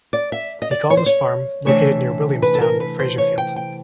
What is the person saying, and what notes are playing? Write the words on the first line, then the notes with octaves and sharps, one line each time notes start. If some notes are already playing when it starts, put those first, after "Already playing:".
He called his farm, located near Williamstown, Fraserfield.
D5
E5
D#5
D5
C#5
C5
C#5
C3 E3 A3 D4 C#5
B4
A4
A#4
B4
C5
C#5
G5
G5